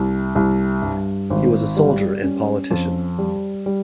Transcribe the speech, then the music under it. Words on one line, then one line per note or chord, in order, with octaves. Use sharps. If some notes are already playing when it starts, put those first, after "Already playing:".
He was a soldier and politician.
Already playing: C2
C2
G2
G#1
G3
C#4
F2
G3
G3